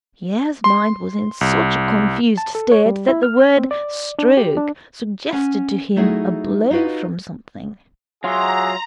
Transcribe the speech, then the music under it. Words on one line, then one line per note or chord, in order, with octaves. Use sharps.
Pierre's mind was in such a confused state that the word "stroke" suggested to him a blow from something.
C6
C2
A5
A4
C#5
G3
E4
F6
C4
D5
D4
G4
D4
C#4 F#5 G#5
F#3 A3 D#4 E4 F#4 G#4
D#4 F4 F#4 B4 D#5
F#3 F4 F#4 G#4 E5 A#5 C6